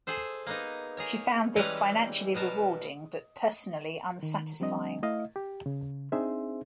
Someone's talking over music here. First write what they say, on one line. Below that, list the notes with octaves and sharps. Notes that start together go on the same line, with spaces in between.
She found this financially rewarding, but personally unsatisfying.
G#4 A4 C5
A#3 B3 D#4
G#4 A#4 C#5
E3 G3 G#3 C#4 B4 A#5
B2 B3 A#4 A5
D#3
F3 G3 C4 D4 D#5
A3 E4 D#5 F5
G4
C#3
C4 D4 D#4 G#4 C5 E5